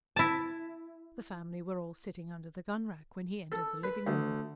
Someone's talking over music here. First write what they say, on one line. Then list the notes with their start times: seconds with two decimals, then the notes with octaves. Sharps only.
The family were all sitting under the gunrack when he entered the living room.
0.16 E4 A5
3.52 A4
3.83 B4
4.07 D2